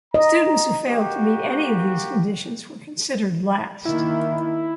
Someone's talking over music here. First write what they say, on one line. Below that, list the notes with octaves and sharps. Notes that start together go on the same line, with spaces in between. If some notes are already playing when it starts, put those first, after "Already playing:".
Students who failed to meet any of these conditions were considered last.
D#5 A#5
A#3 F#4 G4
D#3 A#3 E4